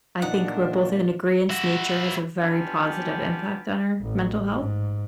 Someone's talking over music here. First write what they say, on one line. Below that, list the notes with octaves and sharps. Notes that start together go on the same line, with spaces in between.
I think we're both in agreeance, nature has a very positive impact on our mental health,
A#2 D4 D#4 F#5
E4 F#4
G3 B3 C#4 D4 F4 G4
A1
G#2